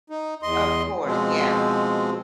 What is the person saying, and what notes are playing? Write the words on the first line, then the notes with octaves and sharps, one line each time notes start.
Of course, yeah.
D#4
E2 D#5 C6
B2 F3 G#3 C4